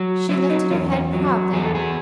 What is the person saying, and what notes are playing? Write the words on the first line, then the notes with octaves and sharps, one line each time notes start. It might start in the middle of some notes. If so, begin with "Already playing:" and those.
She lifted her head proudly.
Already playing: F#3
F#3 E4
D#4
E2 C#4
C#4
F#3
E2 G#4
A4
G#4